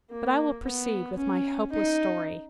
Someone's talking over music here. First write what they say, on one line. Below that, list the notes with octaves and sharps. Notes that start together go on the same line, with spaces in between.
But I will proceed with my hopeless story.
A#3
B3
C#4
D#4